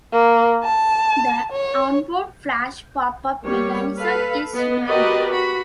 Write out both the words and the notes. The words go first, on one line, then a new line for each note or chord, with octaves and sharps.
The onboard flash popup mechanism is manual.
A#3
A5
C#5
G3 A#3 C#5
A4 B4 F5
B3 D#5
F#4 G4 A#4 B4 D5 D#5
F#4 B5